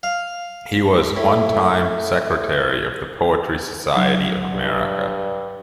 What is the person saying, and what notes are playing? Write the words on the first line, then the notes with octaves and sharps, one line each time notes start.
He was one time secretary of the Poetry Society of America.
F5
A2
F#3 F#5
G2